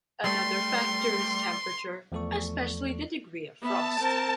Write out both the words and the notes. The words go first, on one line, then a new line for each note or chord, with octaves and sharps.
Another factor is temperature, especially the degree of frost.
G3 A3 C6
E2 F3 A3 A4 D5 C#6
B3 E5 A5
C4 A#4